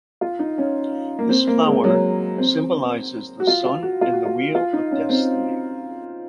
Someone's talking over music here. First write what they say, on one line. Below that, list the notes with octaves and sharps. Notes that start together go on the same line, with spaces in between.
This flower symbolizes the sun and the wheel of destiny.
F4
D#4
C#4
A#3
C4
A#3
G#3
F#3
C4
F#4
F4
F4
F#4
F4
F#4
F4
F4
D#4
C#4
C4